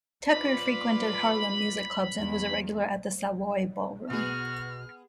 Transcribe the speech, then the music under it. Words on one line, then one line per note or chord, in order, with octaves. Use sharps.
Tucker frequented Harlem music clubs and was a regular at the Savoy Ballroom.
F4 B4 D5 B5
E2
B2 B3 F#4 G#4 F6